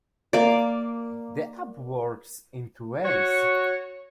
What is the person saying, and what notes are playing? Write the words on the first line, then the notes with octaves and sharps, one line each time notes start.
The app works in two ways.
A#3 D5
F#4 C#5